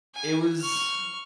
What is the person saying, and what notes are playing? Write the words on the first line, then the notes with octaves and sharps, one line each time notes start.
It was
G#5
C#6 F6